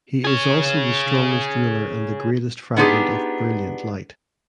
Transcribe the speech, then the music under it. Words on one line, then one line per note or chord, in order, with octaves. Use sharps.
He is also the strongest Ruler and the Greatest Fragment of Brilliant Light.
G#4 C#5
B3 D4 D#4 F4 G4 G#4